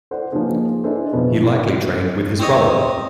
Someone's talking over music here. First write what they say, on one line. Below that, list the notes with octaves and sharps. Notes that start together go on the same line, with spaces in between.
He likely trained with his brother.
A4 C5 D5 F#5
F3 A#3 C#4 D#4 G#4
D4 E4 G#4 A4 C5 D#5
F2 B2 F3 B3
C4 C5 C#5 D#5